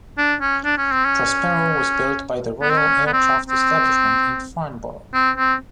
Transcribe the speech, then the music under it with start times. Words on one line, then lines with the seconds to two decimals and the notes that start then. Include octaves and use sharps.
Prospero was built by the Royal Aircraft Establishment in Farnborough.
0.18 D4
0.41 C#4
0.65 D4
0.78 C#4
0.92 C4
1.05 C#4
2.62 B3
2.70 C4
2.78 C#4
3.07 B3
3.13 C4
3.49 C4
5.14 C4
5.38 C4